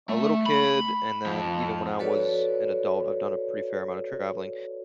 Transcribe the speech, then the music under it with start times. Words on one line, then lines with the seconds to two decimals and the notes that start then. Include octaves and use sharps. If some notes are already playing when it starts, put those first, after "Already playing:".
a little kid, and then even when I was an adult, I've done a pretty fair amount of traveling,
0.09 A3
0.46 B5
1.26 F2
1.99 F#4 A4 B4 C#5 D5